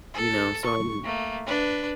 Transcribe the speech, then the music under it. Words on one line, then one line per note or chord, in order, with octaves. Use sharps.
you know, so I'm
A4
C#6
A3 A#3
D4 B4